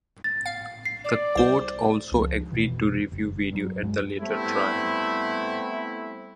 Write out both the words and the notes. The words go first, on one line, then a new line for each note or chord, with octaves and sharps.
The court also agreed to review video at the later trial.
A6
F5
C7
D5
C2 C5
C#2 F3
F1 B1 B2 E3
F#1
G2 F#3
G2 F#3 G#3
G3 A3 B3 C4 E4